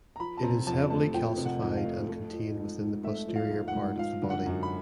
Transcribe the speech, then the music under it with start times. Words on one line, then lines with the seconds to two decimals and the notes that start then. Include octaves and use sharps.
It is heavily calcified and contained within the posterior part of the body.
0.16 A#5
0.20 F3 B5
0.37 A5
0.43 C3 A#5
0.67 F2 A5
0.90 A3 A5
1.14 F3 G5
1.38 C3
1.45 F#5
1.62 F2
1.77 F5
1.85 A3
2.09 A3
2.32 F3
2.57 G#2
2.80 G#2
3.03 A3 E5
3.28 F3
3.36 F5
3.51 G#2
3.68 F#5
3.75 G#2
3.99 F3 F5
4.22 D3
4.30 F#5
4.46 F#2
4.63 B5